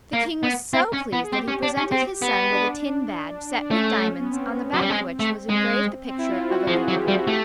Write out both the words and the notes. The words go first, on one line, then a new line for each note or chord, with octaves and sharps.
The King was so pleased that he presented his son with a tin badge, set with diamonds, on the back of which was engraved the picture of a Gigaboo.
A#3
B3
C4
C#4
B3
G#4
C4 G4
C#4
D4
C#4
C4
B3
D4
D4
A3 C#4
B3
C4
F#3
G3
G#3 C4
A3
G#3
C4
E4
F4
F#4
F3 G#4
F#3 G4
G3 F#4
A3 G4